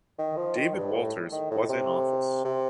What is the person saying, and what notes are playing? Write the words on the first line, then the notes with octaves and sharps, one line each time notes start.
David Walters was in office.
D#3
F3
D#3
G2
A2
D#3
A2
C3
C3